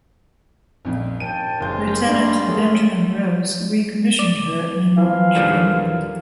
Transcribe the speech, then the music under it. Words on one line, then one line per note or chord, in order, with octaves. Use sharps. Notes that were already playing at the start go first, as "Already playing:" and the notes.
Lieutenant Benjamin Rose recommissioned her in June.
A#1 F2
D#2 G5 A5 D#7
F#1 C#4 D#4 F4 G6
G2 D4
F#2 G#4 A4
D5
E3 F3 F5
D#2 A#2 D3